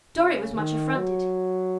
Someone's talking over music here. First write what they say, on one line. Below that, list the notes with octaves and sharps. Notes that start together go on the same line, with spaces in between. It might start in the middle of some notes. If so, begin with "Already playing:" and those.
Dorry was much affronted.
C#3
D#3
F#3